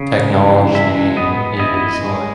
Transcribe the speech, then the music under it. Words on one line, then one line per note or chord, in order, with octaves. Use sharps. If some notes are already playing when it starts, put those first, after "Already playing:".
technology is, like
Already playing: C#3
E3
G#3 E5
B3 D#5
E4 D#5
G#3